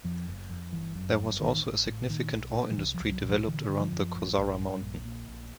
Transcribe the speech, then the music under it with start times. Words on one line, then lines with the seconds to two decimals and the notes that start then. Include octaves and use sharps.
There was also a significant ore industry developed around the Kozara Mountain.
0.04 F2 F3
0.27 F#1
0.50 F2
0.73 G1 E3
0.95 F#2
1.18 G1
1.40 A1 D#3
1.64 A1
1.86 A2
2.09 A#2 D#3
2.32 B1
2.55 A#2
2.71 F3
2.77 C2 E3
2.94 F3
3.00 C2
3.11 F#3
3.23 A#2
3.29 F3
3.46 D3 E3
3.69 D3
3.80 F3
3.91 F#2
4.15 A1
4.37 A1
4.59 G2
4.82 A#1
5.05 A#2
5.28 A#1